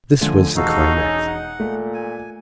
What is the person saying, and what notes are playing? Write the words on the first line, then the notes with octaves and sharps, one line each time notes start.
This was the climax.
D3 F3 A3 G#5
E1 D#4 F#4 A4 F5
C#4 G#4
F#5
A#2 A3
G#5